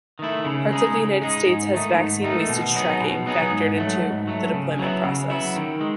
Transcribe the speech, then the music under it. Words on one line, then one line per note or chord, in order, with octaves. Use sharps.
Parts of the United States has vaccine wastage tracking factored into the deployment process.
D#3 A3 E4
C#3
G#3 D#4 G#4
C#3
G#3 D#4 G#4
G#2
D#3 A3 D#4
G#2
D#3 A3 D#4
B2
F#3 B3 D#4 G#4
B2
F#3 B3 D#4 G#4
G#2
F#3 A3
G#2
F#3 A3
C#3
F#3 B3 E4
C#3
F#3 B3 E4
D#3
G#3